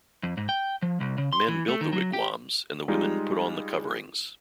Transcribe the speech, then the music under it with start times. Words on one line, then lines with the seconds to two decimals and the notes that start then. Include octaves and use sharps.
Men built the wigwams and the women put on the coverings.
0.23 F2
0.37 G#2
0.49 G5
0.82 F3
1.00 C2
1.18 C#3
1.33 C6
1.48 E3
1.68 A3
1.81 D#3
1.93 F#3
2.13 G4
2.88 G3 G#3 D#4 F4